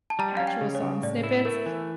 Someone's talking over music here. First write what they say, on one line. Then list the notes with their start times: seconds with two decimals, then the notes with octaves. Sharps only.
actual song snippets,
0.10 A5
0.19 G3 A#5
0.37 C#4 F5
0.47 G5
0.61 C#3
0.75 C#5
0.82 C#3
1.03 A2 D5
1.24 E4
1.45 A3 A#4
1.66 E3